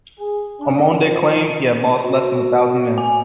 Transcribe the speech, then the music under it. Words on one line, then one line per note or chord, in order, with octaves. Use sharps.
Ormonde claimed he had lost less than a thousand men.
G#4
D4
F3
F#4
G#5